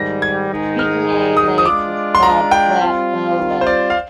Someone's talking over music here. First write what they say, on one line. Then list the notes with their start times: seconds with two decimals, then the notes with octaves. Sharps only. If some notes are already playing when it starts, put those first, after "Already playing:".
Kootenay Lake was called "Flat Bow Lake".
Already playing: G#2 D#3 G3 A#6
0.22 G#6
0.51 G#2 D#3 G#3 D#4 G#4
0.79 F6
1.37 D#6
1.58 D#6
1.65 G#3 D4 F4 D6
2.15 C6
2.23 A#5
2.51 G5
2.80 G3 C4 F4
3.61 C5
3.67 D5
3.90 F5